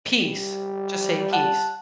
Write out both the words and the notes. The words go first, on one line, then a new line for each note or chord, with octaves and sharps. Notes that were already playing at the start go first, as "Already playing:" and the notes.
Peace, just say, peace.
G3
F#5 A5